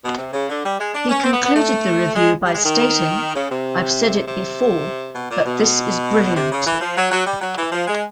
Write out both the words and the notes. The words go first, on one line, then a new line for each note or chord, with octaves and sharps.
He concluded the review by stating, I've said it before... but this is brilliant.
B2
C3
C#3
D3
G3
G#3
D4
C#4
C4
B3
B3
A3
G#3
G3
G#3
D#3
C#3
C3
C3
B2
A#2
B2
C3
C#3
E3
F3
F#3
F#3
G3
F#3
E3
F3
G#3